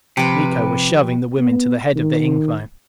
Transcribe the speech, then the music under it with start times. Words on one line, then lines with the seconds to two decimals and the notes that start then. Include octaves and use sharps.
Miko was shoving the women to the head of the incline.
0.17 C3 F3 G4 B4
1.39 B3
1.96 D#3